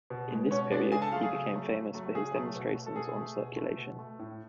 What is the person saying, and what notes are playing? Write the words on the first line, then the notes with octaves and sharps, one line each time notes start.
In this period he became famous for his demonstrations on circulation.
B2
G#3 B3
B2 C#4 C#5
G#3 B3 D4 D5
C#3 G#4 G#5
A4 A5
F#3 A3 F4 F5
G#4
C#3
F#3 A3
C#3
F#3 A3
C#3 G#4
F#3 A3
B2
A3
A4
B2 G#4
A3
B2
A3
B2
A3
A2